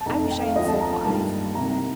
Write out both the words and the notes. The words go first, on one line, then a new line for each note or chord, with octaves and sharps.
I wish I had soulful eyes.
A5
F2 D#3 A3 C4 A#5
A5
G5
F5
D2 D3 F3 C4 D#5
A5
A#5
A5
G2 D#3 G3 A#3 A5
C2 C3 D#3 A#5